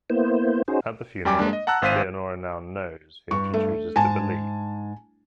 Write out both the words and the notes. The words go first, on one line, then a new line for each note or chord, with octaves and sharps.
At the funeral, Leonora now knows whom she chooses to believe.
A#3 B3 E4 C5
C#4 D#4 F#4 G#4 C5
F#2 G3 G5 G#5 D6
G#3 A#3 D4
D#5
F#5 A5 A#5 E6 F#6
G#1 C5 F5 B6 D#7
G2 C#6
A3
G#2 G#5 A5